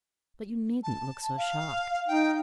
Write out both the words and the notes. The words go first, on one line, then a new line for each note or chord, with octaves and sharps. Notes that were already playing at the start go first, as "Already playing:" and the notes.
But you needn't look so shocked.
A5
F5
D#4 G5